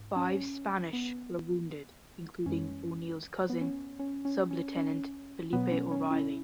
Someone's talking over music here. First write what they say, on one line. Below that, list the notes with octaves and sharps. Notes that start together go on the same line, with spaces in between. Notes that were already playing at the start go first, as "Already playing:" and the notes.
Five Spanish were wounded, including O'Neill's cousin, Sublieutenant Felipe O'Reilly.
Already playing: G#2
C#4
B3
F#2 E3 G#3 C#4
B3
C#4
C#4
C#4
C#4
C#4
B2 F#3 B3
B3
C#4
C#4
C#4 E4